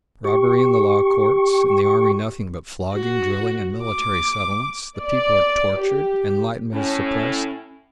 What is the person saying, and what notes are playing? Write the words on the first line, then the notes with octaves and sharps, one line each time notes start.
Robbery in the law courts, in the army nothing but flogging, drilling, and Military Settlements; the people are tortured, enlightenment is suppressed.
G4 C#6
F#4
D6
D5
G4
A2 C#4